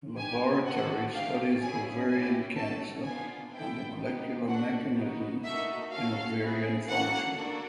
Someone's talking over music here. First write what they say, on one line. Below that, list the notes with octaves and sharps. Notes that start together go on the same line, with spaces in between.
Her laboratory studies ovarian cancer and the molecular mechanisms in ovarian function.
D4 G4 G#5
D4 F#4 A4 F#5
A3 D4 G4 F5
C#4 E4 G#4 G#5
C#4 E4 G4 G#5
A3 C#4 F#4 A4 A5
B3 D4 F4 G#5
C4 E4 A4 G5
B3 D#4 G4
D4 F#4 A4 F#5
B3 D#4 F#4
A#3 D#4 F#4 A4 E5
C#4 F#4 A4 F5
C4 E4 G#4
A#3 C#4 F#4 A4 F#5
A#3 D4 F#4 A4